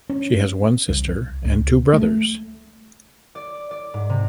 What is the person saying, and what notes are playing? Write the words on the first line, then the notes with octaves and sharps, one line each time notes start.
She has one sister and two brothers.
C#4
C2
C#2
A3
D5
D5
G#2
C3